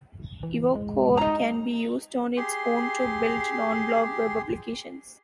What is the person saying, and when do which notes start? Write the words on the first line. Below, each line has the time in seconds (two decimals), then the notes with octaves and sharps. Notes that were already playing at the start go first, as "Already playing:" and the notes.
EvoCore can be used on its own to build non-blog web applications.
0.43 E3
0.75 G#3
1.17 D#4 A#5
2.37 G4 G#4 C6